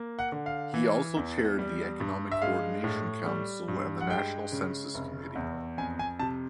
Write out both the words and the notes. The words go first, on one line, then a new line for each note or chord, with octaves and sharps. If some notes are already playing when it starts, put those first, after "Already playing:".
He also chaired the Economic Coordination Council and the National Census Committee.
Already playing: A#3
F#5
D3
F5
E3
E2
G3
G2
E5
G#3 F5
A2
G3
G2
F#5
G#3 G5
C#3
F1
E2
F2 G#5
G#5
C3 A5